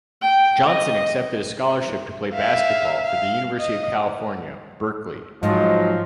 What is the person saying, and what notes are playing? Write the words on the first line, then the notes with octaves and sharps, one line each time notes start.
Johnson accepted a scholarship to play basketball for the University of California, Berkeley.
G5
D#5
E5 F5
F5
D#5
G#2 F3 F#3 D#5